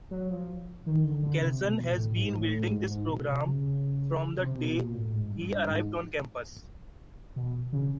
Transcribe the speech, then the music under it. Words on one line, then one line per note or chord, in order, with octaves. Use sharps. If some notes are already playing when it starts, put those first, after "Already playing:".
Kelson has been building this program from the day he arrived on campus.
F#3
F3
D#3
D3
D3
C3
B2
A2
G#2
A2
G#2
G#2
B2
C3
C#3
C3
B2
A#2
A2
G#2
G2
G2
G#2
B2
C#3